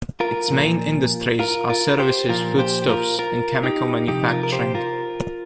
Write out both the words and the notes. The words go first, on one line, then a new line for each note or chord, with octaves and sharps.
Its main industries are services, foodstuffs and chemical manufacturing.
F4 A#4
A#2 F3
F4 A#4
F4 A#4
G4 C5
A#2 F3 F4 A#4
G4 C5
G4
F4 A#4
F4 A#4
D#4 G4
C3 F3 D#4 G4
F4 A#4
A#4
G4 C5
F4 A#4